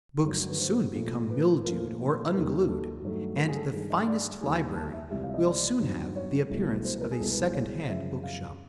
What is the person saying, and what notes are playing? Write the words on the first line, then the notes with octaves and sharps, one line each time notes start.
Books soon become mildewed or unglued and the finest library will soon have the appearance of a secondhand bookshop.
G2 D3 F#3 A3
B4
C5
A#2 F3 A3
B4
A#2 F3 A3 A#4
D#2 D#3 G3 A#4
A4
G2 D#3 F#3 A3
A#4
G#4
A4
G2 D#3 G#3 A4
D#5
D5
D#2 D#3 G3 G#5
A5
E5
C#2 C3 E3 G3 E5
F5
E5
D#5
D5
G2 D#3 F#3
C#5
C2 B2 F#3 A3
C5
B4
A#4
G#4
C2 B2 G#3 A4
B4
C5
C#5
F#2 C#3 F3 G#3 E5
F5